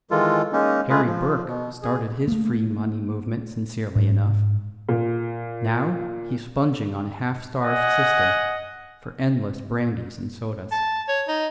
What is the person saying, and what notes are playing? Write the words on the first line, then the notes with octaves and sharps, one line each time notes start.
Harry Burke started his free money movement sincerely enough; now he's sponging on a half-starved sister for endless brandies and sodas.
D#3 E3 G#3 F4 A4
G#3 A#3 C#4 D#4
G#3 A3 F4 G#4 B4
F3
B2
G#4
A3 A#3
G#2
A#2
D#5 F#5 G#5
A5
C#5
D#4